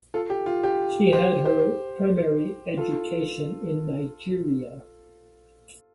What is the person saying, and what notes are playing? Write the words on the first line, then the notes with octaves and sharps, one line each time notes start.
She had her primary education in Nigeria.
F4 A4
G4
F4
G4
G4 C5
G4 C5
F4 A4